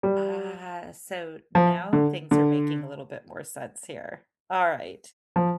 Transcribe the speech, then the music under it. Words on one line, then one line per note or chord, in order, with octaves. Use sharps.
Ah, so now things are making a little bit more sense here. Alright,
G3
F3
D3
D3
F3